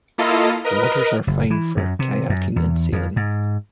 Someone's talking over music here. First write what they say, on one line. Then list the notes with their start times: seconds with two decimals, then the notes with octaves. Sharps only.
The waters are fine for kayaking and sailing.
0.18 A#3 E4 F4 A4 D#5 F5
0.65 A#4 B4 D#5
1.27 F#1
1.50 E3
1.77 F#2
1.99 C3
2.30 F#2
2.56 E2
2.92 F2
3.16 G#2